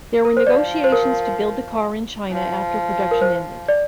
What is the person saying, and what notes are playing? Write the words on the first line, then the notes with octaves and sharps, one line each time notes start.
There were negotiations to build the car in China after production ended.
A#4
C5
F3 D5
C5
A#4
F3
A#4
C5
D5